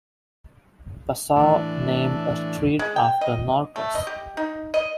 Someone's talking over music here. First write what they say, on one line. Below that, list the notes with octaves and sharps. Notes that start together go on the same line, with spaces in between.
Passau named a street after Norkus.
A2 E3 D4
G#3
G5
D#5
A3
D#5
G4
D#4
D#5